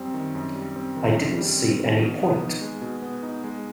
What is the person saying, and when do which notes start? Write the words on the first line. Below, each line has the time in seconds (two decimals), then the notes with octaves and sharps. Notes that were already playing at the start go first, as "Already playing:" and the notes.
I didn't see any point.
Already playing: F#2 G3 C4
0.14 D#3
0.35 F#2
0.55 G3
0.76 C4
0.96 D#3
1.17 F#2
1.37 G3
1.58 C4
1.79 D#3
1.99 B2
2.20 B3
2.41 D#4
2.61 G#3
2.82 B2
3.02 B3
3.23 D#4
3.44 G#3